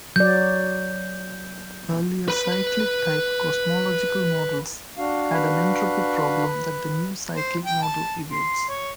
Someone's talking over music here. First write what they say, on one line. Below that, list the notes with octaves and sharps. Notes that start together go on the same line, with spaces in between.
Earlier cyclic-type cosmological models had an entropy problem that the new cyclic model evades.
F#3 D5 G6
B4 B5
D4 F#4 F5
B4
C5
G5
A5
C6
C#5